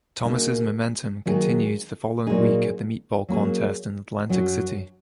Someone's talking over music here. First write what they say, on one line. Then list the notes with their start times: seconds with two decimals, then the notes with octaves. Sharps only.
Thomas' momentum continued the following week at a meatball contest in Atlantic City.
0.25 C#3 A#3 D#4 F#4
1.26 D#3 F#3 A#3 D#4 G#4
2.27 A#2 F#3 A#3 D#4 G#4
3.29 F#3 A#3 C#4 G#4
4.29 F#2 F#3 C#4 F#4